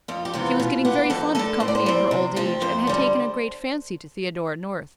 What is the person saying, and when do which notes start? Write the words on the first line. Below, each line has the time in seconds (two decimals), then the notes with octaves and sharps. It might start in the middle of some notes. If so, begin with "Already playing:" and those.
She was getting very fond of company in her old age, and had taken a great fancy to Theodora North.
0.08 F2 F4
0.25 G4
0.34 C3 E3 B3 F4
0.60 B2 F4
0.85 B3 G4
1.10 F2 A4
1.35 D3 A3 A4
1.60 A2 C5
1.68 D5
1.75 C5
1.86 G3 C4
2.11 C3
2.36 F3 A3 C4
2.62 F2 C5
2.87 D3 G3